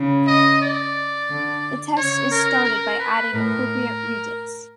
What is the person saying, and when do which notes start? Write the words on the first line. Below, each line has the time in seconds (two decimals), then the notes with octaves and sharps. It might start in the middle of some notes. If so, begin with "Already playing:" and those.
The test is started by adding appropriate reagents.
Already playing: C#3
0.27 D#5
0.62 D5
1.30 D3
1.97 C#3 C#5
2.31 A#4
2.65 A#4
3.00 B4
3.33 A2 A#4